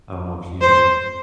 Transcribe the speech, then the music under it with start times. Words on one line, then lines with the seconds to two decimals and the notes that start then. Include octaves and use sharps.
I don't know if you
0.61 C5